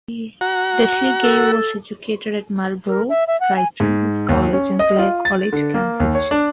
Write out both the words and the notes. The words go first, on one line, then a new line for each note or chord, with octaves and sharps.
Leslie Gay was educated at Marlborough, Brighton College and Clare College, Cambridge.
F#4 F#5 A#5
A4
A#4
E5
E5
F#5
G#5
G#2
D#2
C#4
D#5
F4
A6
D3
A#3
D#2
C#5
D4